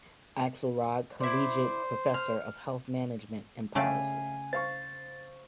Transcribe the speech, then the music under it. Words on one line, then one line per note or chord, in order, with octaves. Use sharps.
Axelrod Collegiate Professor of Health Management and Policy.
E4 C5 D5
F6
C#3 A3 D5 E5 F5 G5 G#5
C5 F5 C#6 A6